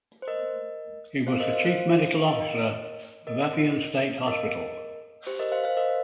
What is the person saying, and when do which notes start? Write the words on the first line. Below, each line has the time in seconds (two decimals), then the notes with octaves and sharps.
He was the Chief Medical Officer of Afyon State Hospital.
0.22 C5
0.28 A#4 D#5
1.27 C5 F5
1.40 A#4 D#5
1.53 C5 F5
1.65 C5 F5
2.19 F5
2.27 A#4 D#5
3.27 A#4 D#5
4.18 F5
4.27 A#4 D#5
5.27 G4 C5
5.39 A#4 D#5
5.52 C5 F5
5.64 C5 F5
5.77 A#4 D#5